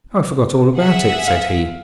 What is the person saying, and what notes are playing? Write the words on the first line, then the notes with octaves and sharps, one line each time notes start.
'I forgot all about it,' said he.
G#4 E5 F#5
F5